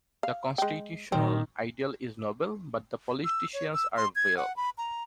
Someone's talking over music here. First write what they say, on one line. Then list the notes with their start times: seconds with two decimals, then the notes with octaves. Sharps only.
The constitutional ideal is noble; but the politicians are vile.
0.23 F5
0.58 G#3 G5
1.12 A#2 D#3 C4
3.25 E6
3.53 C#5
3.74 E6
3.97 C6
4.16 G#6
4.37 F#5
4.57 B5
4.78 A#5